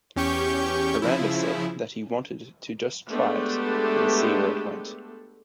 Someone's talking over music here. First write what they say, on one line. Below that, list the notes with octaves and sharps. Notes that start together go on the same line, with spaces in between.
Aranda said that he wanted to just try it and see where it went.
E2 C#4 G4 C#6 G6
C#3 F3 E4
G#3 A3 B3 D4 G4 A4